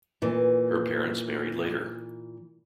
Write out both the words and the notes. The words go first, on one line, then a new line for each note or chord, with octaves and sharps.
Her parents married later.
A#2 E3